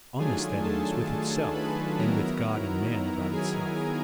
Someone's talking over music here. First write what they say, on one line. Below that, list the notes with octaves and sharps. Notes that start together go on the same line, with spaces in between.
Honest, that is, with itself, and with God and man about itself.
D#3 F#3 A3 D4 F4 G#4 G#5
A4 A5
B4 B5
D#3 F#3 B3 E4 A#4 A#5
G#4 G#5